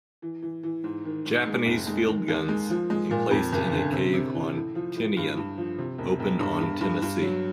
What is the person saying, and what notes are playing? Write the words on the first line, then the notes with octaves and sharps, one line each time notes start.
Japanese field guns, emplaced in a cave on Tinian, opened on "Tennessee".
E3
E3
E3
G#2
D#3
G#2
G#3
F1
G#3
D#3
D#2
G#3
F3
G#3
A#2
F2
F#1
D3
C3
C3
E3
A2
F3
A2
G2
G2
F3
C3
E1
E1
G2
G2
G2
G2
F#3